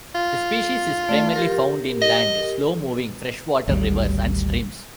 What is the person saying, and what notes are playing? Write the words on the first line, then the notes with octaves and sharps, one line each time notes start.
The species is primarily found inland, slow-moving, freshwater rivers and streams.
F4
A3 D5
G4 A#4
D#5
G#1 D2 G3